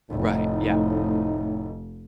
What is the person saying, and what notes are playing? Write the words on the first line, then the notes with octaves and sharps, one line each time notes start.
Right, yeah.
F1 A2 D#4